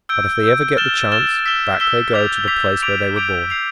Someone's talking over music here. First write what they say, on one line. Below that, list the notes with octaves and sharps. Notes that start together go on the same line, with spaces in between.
But if they ever get the chance, back they go to the place where they were born.
E6 G6 D7
E6 G6 D7
F6 A6 E7 G7
F6 A6 E7 G7
E6 B6 E7 G7
E6 B6 E7 G7
D6 G6 B6 F7
D6 G6 B6 F7
D6 G6 D7 F7
D6 G6 D7 F7
G6 C7 F7